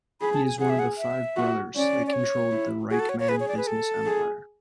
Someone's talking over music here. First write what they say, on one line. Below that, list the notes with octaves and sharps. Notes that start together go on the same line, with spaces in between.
He is one of the five brothers that controlled the Reichmann business empire.
G#4 B5
A5
G#5
G#4 F#5
E5
F#5
E5
F#4
C#4 D5
D5
C#5
E4
F#4 G#4
A4
C#5
C#5
G#4 B4
C#5
D5
B4
A4
G#4